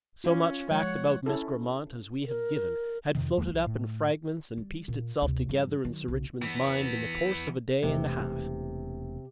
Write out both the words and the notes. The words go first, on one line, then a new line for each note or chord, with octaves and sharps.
So much fact about Miss Grammont as we have given had floated up in fragments and pieced itself together in Sir Richmond's mind in the course of a day and a half.
C#4 F4 F5
F3 G#3 C#5 F#5
C#4 E4 A4
A#4
F2 C3 D#3
E2 F3 G#3 A#3
B1
A2
G3
A#2
D2 C3
G2 F3
D#3 F#3
B1 C#3
E3 B3
E1 C3 E3 A3